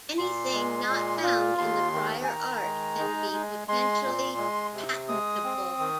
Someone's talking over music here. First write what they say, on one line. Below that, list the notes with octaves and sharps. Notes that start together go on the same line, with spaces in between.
Anything not found in the prior art can be potentially patentable.
A#2 C6
G#3
A#2
F4
D#2 C6
D#3
G#5
D#3 A#5
G#3
D#4
G#3
G#3 C6
A#2
G#3
C3
G#3 D#6
C4
D#3